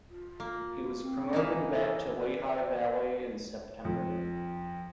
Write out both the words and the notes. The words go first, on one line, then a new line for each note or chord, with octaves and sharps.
He was promoted back to Lehigh Valley in September.
F4
A#3
C4
E3 A#3 D#4
A4
D5
F2